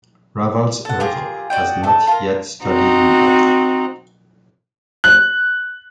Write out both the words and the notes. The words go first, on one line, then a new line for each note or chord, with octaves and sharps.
Raval's oeuvre has not yet studied in depth.
A4 F#5
F4 G4 G#4 A#4
F#4 D5 D#5 G5
A3 A4
F4 A#4
C4 D#4 F#4
F#6